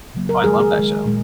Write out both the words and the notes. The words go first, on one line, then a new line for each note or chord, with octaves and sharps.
Oh, I love that show.
C#3 F#3 A#3
A#4
D#3 G#3 G#4
G#4
D#3 G#3
A#2 G#3